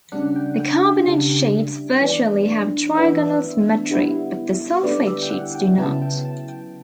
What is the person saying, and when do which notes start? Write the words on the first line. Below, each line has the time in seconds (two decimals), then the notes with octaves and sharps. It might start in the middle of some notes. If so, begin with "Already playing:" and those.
The carbonate sheets virtually have trigonal symmetry, but the sulfate sheets do not.
0.12 C#3 G3 D4 F#5
0.36 G5
0.60 G5
0.84 E5
1.07 C#3 G3 D4
2.01 E3 B3 D4
2.95 E3 B3 D4 E5
3.90 D3 G3 B3 E4
4.83 D3 G3 B3 E4 D5
5.07 E5
5.23 G5
5.30 F#5
5.55 G5
5.78 C#3 F#3 B3 E4 A5
6.02 G5
6.25 A5
6.49 G5